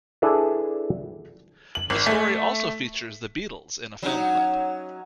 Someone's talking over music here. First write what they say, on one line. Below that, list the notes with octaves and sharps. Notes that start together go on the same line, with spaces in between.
The story also features The Beatles in a film clip.
D4 E4 G#4 A4 B4
F#7
G#1
A3
F#3 C#4 D#4